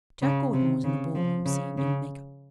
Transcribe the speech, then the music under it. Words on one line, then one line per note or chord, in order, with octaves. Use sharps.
Jack Gordon was in the ballroom scene in make-up.
C#3
C3
C#3
F3
C#3
C#3